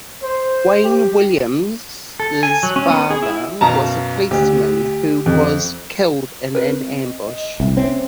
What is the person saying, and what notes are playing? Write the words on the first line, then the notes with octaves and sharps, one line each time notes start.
Wayne Williams' father was a policeman who was killed in an ambush.
C5
G4
A4
G#5
F#3
C#4
B3
G#4
E4
F#2 B2 F5 A5 A#5
D2 G4
F2
C4 A#4 B4
D#5
C2 E5
C4 C#4